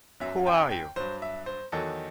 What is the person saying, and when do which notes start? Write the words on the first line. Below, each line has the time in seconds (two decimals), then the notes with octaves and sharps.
Who Are You?
0.20 F#2 F#3 E5
0.47 G5
0.71 G5
0.96 G2 F#3 C5
1.22 E5
1.46 C5
1.72 E2 D#3 F#3 A4